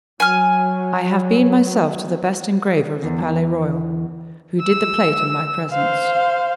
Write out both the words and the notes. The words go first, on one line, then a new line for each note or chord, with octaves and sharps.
I have been myself to the best engraver of the Palais Royal, who did the plate in my presence.
F#3 G#5 F6
E2
E6
C5 F5